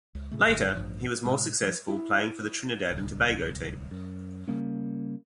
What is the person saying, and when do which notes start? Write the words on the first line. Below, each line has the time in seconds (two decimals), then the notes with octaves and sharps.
Later, he was more successful playing for the Trinidad and Tobago team.
0.15 C#2
0.31 A2 C#3 A3
0.47 F1 G2 D3
0.75 A1 G2 F3
1.25 A2 C3 G#3
1.63 E3 F3
1.88 E4
2.91 D1 C2
3.91 F#2
4.48 C#3 G3 A#3 C#4